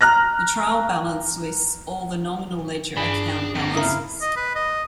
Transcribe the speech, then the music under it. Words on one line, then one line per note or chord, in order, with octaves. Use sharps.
The trial balance lists all the nominal ledger account balances.
A#5 F6 F#6 A#6
G2 D4 G#4 B5
F2 A#3
C#3 E4 A#4 F5 A#5 D#6
D#5
B4
D#5